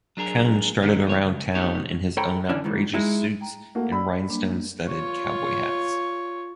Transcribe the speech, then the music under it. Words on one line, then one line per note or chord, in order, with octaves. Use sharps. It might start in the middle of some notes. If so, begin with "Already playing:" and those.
Cohn strutted around town in his own outrageous suits and rhinestone-studded cowboy hats.
F#3 D4 G#4 A#4
D3 D#3 G#3 A3 B3 D5
E3 C#5
C#2
B3 D#4 G4 C#5
A4 C#5 G5 A#5 B5
D3 E3 C#4 D4
G#2 D#3 E3
G#3 D#4 E4
G5 A#5
A3 A#3 F#4
D5 B5 E6
G3 A#3 D4
F4 C#5